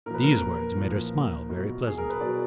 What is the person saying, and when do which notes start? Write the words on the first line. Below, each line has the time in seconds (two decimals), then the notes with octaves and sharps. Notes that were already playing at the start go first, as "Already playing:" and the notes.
These words made her smile very pleasantly.
0.06 A#2 A#4
0.10 F3 B4
0.24 A#4
0.77 A#2 F3
1.49 B2 F#3
1.87 G#4
1.98 A#4
2.10 B4
2.20 B2 F#3 A#4 D5